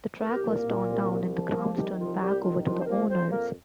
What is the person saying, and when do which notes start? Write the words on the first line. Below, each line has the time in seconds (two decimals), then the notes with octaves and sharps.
The track was torn down and the grounds turned back over to the owners.
0.21 C2 A#4
0.35 G4
0.43 A#2
0.49 A#3 A#4
0.66 A#2
0.87 C2
1.10 C2
1.32 F3
1.54 C2 A#3 A#4
1.76 D#3 G3 G4
1.99 C2 F3 F4
2.21 C2 G3 G4
2.43 D#3 F3 F4
2.65 C2 F3 F4
2.81 C5
2.87 F3 A#3 A#4
3.09 F2 C4 C5
3.31 F2 A#3 A#4